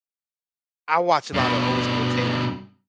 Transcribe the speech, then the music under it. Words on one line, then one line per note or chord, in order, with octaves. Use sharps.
I watch a lotta old school tape.
G2 B2